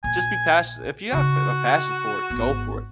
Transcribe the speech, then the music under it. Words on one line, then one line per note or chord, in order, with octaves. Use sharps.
Just be passi if you have, eh, a passion for it, go for it,
A#1 G#5
C#3 D#4 F#4
G#1 B3